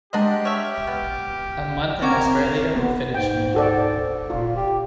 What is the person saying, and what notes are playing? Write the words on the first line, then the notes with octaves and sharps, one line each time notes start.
A month in Australia would finish me.
G#3 D4 G4 A#4 D#5 F#5 C6
C#5 E5 F6
B3
C4 C#4 F#4 G4 A#4 D6 G#6
B3
G#2 G5
F#4 A4 D5
A#2 F4
G4